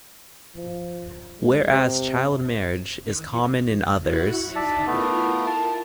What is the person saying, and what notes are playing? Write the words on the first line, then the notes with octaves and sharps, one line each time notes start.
Where as child marriage is common in others.
F3
G#3
C3
E4 F#4 F#5
D#4 D5 E5 A5
A3 B3 E4 F4 A#4
A5